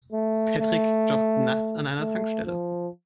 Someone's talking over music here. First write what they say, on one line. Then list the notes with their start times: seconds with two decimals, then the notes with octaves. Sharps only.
Patrick jobbt nachts an einer Tankstelle.
0.13 A3
0.59 A3
2.00 A3
2.46 F3